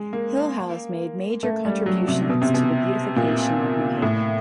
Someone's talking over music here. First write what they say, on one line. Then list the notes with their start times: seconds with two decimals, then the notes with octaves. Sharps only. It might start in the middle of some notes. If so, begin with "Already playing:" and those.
Hillhouse made major contributions to the beautification of New Haven.
Already playing: G#3
0.13 A#3
1.43 A3
1.65 G3
1.86 F#3
2.08 C3
2.30 B2
2.42 C3
2.54 B2
3.16 A#2
4.02 A2